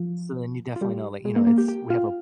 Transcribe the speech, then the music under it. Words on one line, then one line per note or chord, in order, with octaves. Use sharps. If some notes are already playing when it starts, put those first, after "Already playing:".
So then you definitely know, like, you know, it's we have a
Already playing: F3 F4
F4
G3 G4
G#3 G#4
A#3 A#4
A#3 A#4
G4 G5
G4 G5
F4 F5